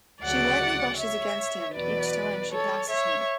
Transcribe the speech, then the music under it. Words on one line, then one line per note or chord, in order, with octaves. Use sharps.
She lightly brushes against him each time she passes him.
D2 C#3 F#3 D5 F#5
C#5 E5
E2 B2 F#3 B4 D5
A4 C#5
C#5 E5